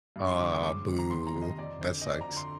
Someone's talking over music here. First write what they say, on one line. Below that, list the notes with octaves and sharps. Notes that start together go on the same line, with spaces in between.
Aw, boo. That sucks.
G2
C6
D3 D6
D#6
G#2 D6
D#3
A#5
F2 C6
A#5
C3 D#3
D#5
F2 D5
D3 C5
D#5
F2 D5
A#5
D3
C6